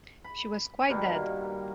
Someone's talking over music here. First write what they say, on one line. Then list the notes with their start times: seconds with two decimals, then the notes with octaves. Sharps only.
She was quite dead.
0.24 B5
0.89 G2 B2 D#3 G3
1.15 A#3